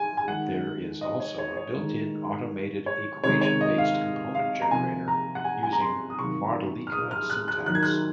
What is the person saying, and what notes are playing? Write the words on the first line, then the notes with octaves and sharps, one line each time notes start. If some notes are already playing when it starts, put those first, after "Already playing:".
There is also a built-in automated equation based component generator using Modelica syntax.
Already playing: G#5
G#5
D#3 G#3 F#5
D#5
C#5
C#5
C#5
D#3 G#3
C#5
C3 D#3 G#3 C#5
C#5
D#5
F5
F5
A#5
C3 F3 A#3 G#5
A#5
F#5
G#5
G#5
A#5
C6
D#6
C3 D#3 F#3 A#3 C#6
F6
D#6
F6
F#6
F#6
D#3 F#3 A#3 F#6
G#6
F#6